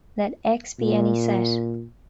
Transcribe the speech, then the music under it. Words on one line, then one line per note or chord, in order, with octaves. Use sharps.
Let "X" be any set.
A#2